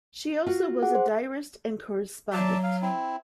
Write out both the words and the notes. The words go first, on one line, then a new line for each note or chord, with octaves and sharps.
She also was a diarist and correspondent.
F4 F#4
G#4 F#5
C5
F#3 D5 E5 A5
F5
C4 E4